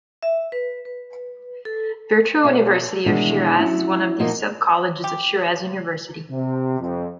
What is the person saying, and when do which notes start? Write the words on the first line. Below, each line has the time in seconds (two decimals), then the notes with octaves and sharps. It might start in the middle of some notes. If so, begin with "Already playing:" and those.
Virtual University of Shiraz is one of the sub colleges of Shiraz University.
0.23 E5
0.52 B4
0.85 B4
1.65 A4
2.44 B2 E5 F5
3.06 B2 D#3 E3 G#3 D4
3.60 F#3 C#4 E4
4.19 B2 F3 A#3 D#4 C5 D#5
5.04 G4
6.30 C3
6.80 F2